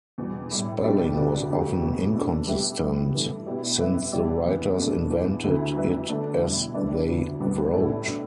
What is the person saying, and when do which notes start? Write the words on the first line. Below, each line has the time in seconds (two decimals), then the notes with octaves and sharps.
Spelling was often inconsistent, since the writers invented it as they wrote.
0.18 E2 B2 G3
0.51 A2 G3 E4
0.84 B2 G3 D4 G4 D5
1.16 D2 D3 B3 G4 D5
1.50 D2 D3 A3 G4
1.82 E2 B2 B3
2.15 B2 A3 D4 A4
2.47 G3 B3 G4 E5
2.80 G3 B3 E4
3.13 G2 E3 A3
3.46 B2 B3 E4 G4 D5
3.79 G3 E4 B4 E5
4.12 B2 G3 E4 G4 D5
4.44 E2 E3 B3
4.77 B2 A3 D4
5.10 E2 E3 B3
5.43 D2 D3 A3 E4 B4
5.75 G3 D4 B4 E5
6.08 D3 A3 D4
6.41 B2 G3 E4
6.74 G3 D4 B4 D5
7.07 D2 D3 B3 E4
7.40 G2 G3 B3
7.73 A2 A3 E4 B4 D5
8.06 B2 A3 D4